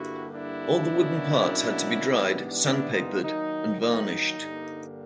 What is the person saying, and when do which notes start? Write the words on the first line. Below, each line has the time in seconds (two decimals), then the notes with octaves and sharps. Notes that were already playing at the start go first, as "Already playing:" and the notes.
All the wooden parts had to be dried, sandpapered and varnished.
Already playing: G2 D3 G3 A#3 E4 F#4
0.35 D4 E4
0.93 B2 F#3 A#3 C#4
2.08 G#2 E3 G3 B3 D4
2.65 D4 E4
2.94 D#4 F4
3.23 D#3 F#3 A#3 D#4
3.81 D#4
4.38 G2 D3 G3 A#3